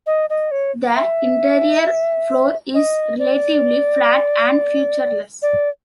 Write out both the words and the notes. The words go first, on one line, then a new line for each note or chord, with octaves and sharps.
The interior floor is relatively flat and featureless.
D#5
D#5
C#5
E5
D#5
D5
D5